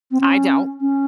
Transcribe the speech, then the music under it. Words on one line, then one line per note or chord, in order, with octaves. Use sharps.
I don't.
C4
C#4
C#4